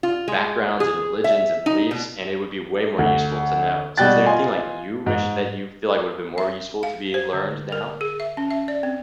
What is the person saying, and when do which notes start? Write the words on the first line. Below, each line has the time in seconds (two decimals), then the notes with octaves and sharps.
backgrounds, and religions, and beliefs, and it would be way more useful to know. So is there anything, like, you wish that you feel like would have been more useful to be learned now?
0.03 F4
0.28 G#3
0.80 G#4
1.24 E5
1.66 D#4
1.91 B2
2.99 D2
3.97 B2 G3 G5 F#6 A6
4.26 F4 D#5 G#5 C6
5.06 G#2
6.38 E5
6.83 F5
7.14 C5
7.33 D3
7.72 A#4
8.01 G#4
8.20 E5
8.37 C#4
8.51 E5
8.68 D5
8.83 C4